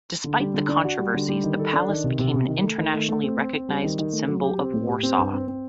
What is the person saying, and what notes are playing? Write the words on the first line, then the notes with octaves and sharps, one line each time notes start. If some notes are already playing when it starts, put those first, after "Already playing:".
Despite the controversies, the Palace became an internationally recognized symbol of Warsaw.
D3
G3
D3
D4
F#4
G3
D3
G3
D#3
A4
D4
D#3
C3
C3
C3
D#3
A3
D#3
A3
A3
C4
C4
C4
G3
D#3
D#3
A3
F#3
G4
C4
A2
G4
C4
G2
C4
C4